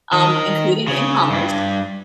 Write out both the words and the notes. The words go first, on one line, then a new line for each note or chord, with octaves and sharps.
um, including in commerce
D#3
C#3
G2